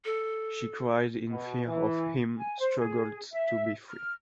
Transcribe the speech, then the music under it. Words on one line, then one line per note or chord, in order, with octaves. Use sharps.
She cried in fear of him, struggled to be free.
A4
B2
E3
G#5
C5
G#4
E5
F6